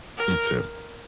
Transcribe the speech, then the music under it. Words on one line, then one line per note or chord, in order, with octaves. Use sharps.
You too.
A#4